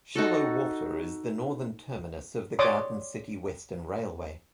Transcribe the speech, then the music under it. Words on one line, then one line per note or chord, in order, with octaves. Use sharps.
Shallow Water is the northern terminus of the Garden City Western Railway.
D#4 F#4 A4
C#5 D5 C6 D6 D#6